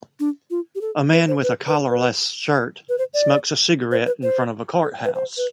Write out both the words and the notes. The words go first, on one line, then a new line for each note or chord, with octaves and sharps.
A man with a collarless shirt smokes a cigarette in front of a courthouse.
D4
F4
G4
A4
B4
C5
B4
B4
A4
B4
B4
C5
D5
C5
B4
C5
A4
B4
C5
B4